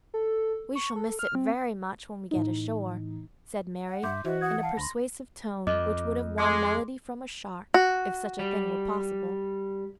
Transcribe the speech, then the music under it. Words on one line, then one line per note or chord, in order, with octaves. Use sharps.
We shall miss it very much when we get ashore,' said Mary, in a persuasive tone which would have won melody from a shark, if such a thing were possible.
A4
C#6
A4
F6
C4
A2 E3 D#4
F#5
G2 E5 C6 D6 G6
E3 F#4 C5 D#5 E5
F#5 D#6 G#6
F5 A5
D2 B5 C6 A#6
F2 D#5 D6
G#3 C6 D6
F#4
G3